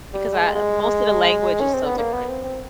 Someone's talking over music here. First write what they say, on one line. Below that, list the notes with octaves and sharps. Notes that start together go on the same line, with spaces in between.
because I most of the language is so different.
G3
G#3
G#3
C#4
C4
B3
A#3
B3
C4
C4